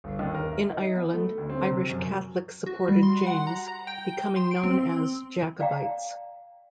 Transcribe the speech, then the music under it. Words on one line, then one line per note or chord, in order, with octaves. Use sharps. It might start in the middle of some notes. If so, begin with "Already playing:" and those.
In Ireland, Irish Catholics supported James - becoming known as Jacobites.
G1
D#2
A#4
E5
D#4
B3
A3
D2
C4
C3
F#2
F#4
G3
C6
F#5
A#5
A#5
G5
C6
D7
C4
D5 F5 G5 A#5